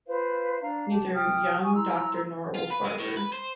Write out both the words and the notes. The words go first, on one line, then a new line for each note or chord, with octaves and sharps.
Neither young doctor nor old barber.
F4 B4 C5 F5
D4 F5 A#5
G4 A5
G5 D#6 F6
G#5 C#6 D#6
E4 A#5 C6 E6
F4
B4
G#3
A2
B4
C5